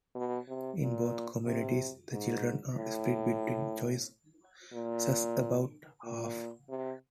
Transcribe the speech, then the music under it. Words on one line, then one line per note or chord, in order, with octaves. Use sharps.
In both communities, the children are split between choices about half.
B2
C3
A#2
C3
G#2
A2
A#2
A#2
C3